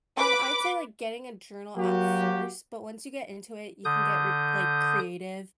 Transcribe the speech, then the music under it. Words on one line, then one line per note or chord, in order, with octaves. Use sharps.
Um, I'd say, like, getting a journal at first, but once you get into it, you can get re like, creative,
B4 D6
F#3 A#3 F#4 G4
D3 D#6 G6